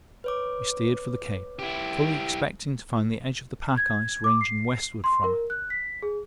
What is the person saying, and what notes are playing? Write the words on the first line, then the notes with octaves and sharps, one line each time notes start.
We steered for the Cape, fully expecting to find the edge of the pack ice ranging westward from it.
B4 C#5 D6
E4 G4
G#6
D6
C7
C6
A#4
F#6
B6
G#4